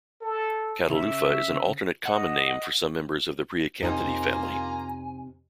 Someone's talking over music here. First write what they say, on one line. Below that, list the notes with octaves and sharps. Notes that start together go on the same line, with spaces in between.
"Catalufa" is an alternate common name for some members of the Priacanthidae family.
A4
C#3 E5
D#5 F#5
F2 C3 A#3 C#4 D#4 F4 G#5 A#5